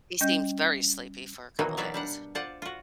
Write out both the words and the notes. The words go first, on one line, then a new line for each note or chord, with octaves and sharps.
he seems very sleepy for a couple of days.
G3 C#4 D#5 G6
B2 D#3 E3 F#3 A#3
D#3 E3 F#3 D5 E5 F5
G3 D4 F#5
F4 C5 D5 F#5
F4 F#4